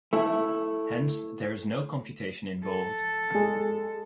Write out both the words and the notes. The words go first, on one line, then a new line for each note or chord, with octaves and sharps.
Hence there is no computation involved.
A3 E4
A4
G#3